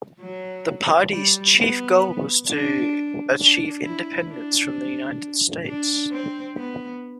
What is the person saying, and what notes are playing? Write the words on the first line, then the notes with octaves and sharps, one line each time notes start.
The party's chief goal was to achieve independence from the United States.
F#3
G3
B3
D4
D4
E4
D4
D4
C4
B3